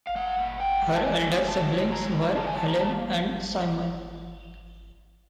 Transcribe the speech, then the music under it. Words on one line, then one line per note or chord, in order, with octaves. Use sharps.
Her elder siblings were Helen and Simon.
F5
G3 F#5
A#2
B2 G5
G3
A5
E3 G#5
A3
B2 A5
F#3
G#3 A#5
C#3
F3 A5
G#5
B3 A5
A#5
A#3 A5